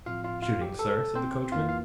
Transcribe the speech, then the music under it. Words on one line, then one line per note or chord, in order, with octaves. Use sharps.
'Shooting, sir?' said the coachman.
A2 F3 C4 F4 F5
F4 F5
F4 F5
G4
A4
C4 C5
F2 E3 A#3 F4 F5
F5